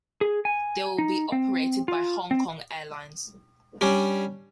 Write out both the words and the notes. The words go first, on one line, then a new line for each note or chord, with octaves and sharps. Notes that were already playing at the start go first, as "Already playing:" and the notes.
They will be operated by Hong Kong Airlines.
G#4
G#5
D#4
C4
F4
C4
G3 C#4 D4